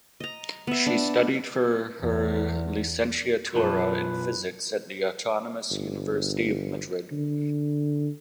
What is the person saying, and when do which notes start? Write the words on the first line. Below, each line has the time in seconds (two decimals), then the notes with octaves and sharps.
She studied for her Licenciatura in Physics at the Autonomous University of Madrid.
0.20 D#5 A#5
0.67 B3 E5
0.86 D4
2.01 E2
3.55 B1 F#2 E3 F4 B4 A5
5.70 G1
7.12 D3